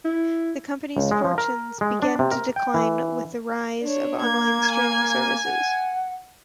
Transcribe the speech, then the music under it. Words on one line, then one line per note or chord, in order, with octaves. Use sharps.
The company's fortunes began to decline with the rise of online streaming services.
E4
C#2
G#3
F3
A#4
G#3
D4
C3
A#4
G5
E3
D4 C#5
A#3 G#6
G#5
F#5